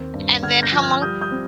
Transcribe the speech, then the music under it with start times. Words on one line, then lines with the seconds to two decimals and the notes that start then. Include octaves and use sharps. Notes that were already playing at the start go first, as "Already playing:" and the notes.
And then how long
Already playing: D#2 C4
0.14 G2
0.43 D3 F6 G#6
0.62 G6 A#6
0.72 F3
0.82 F6 G#6
1.02 G3 D#6 G6
1.21 D#6 G6
1.31 C4